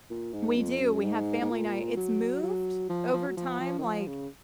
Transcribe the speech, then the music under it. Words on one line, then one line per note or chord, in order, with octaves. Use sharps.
We do, we have family night. It's moved over time, like,
A#2
G#2
F2
F#2
G#2
G#2
A#2
F#3
F#3
F3
F3
F#3
F3
F3
D#3
F3
C#3